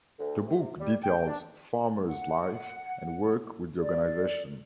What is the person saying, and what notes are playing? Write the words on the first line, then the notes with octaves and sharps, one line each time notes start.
The book details Farmer's life and work with the organization.
D2
C3
G3
G5
D4
F#5
D5